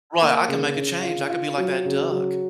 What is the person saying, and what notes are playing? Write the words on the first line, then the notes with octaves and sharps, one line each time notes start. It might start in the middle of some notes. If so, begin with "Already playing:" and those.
Right, I can make a change, I could be like that duck.
A#3
C#3
C#3
F4
F4
F#3
C#3
F#3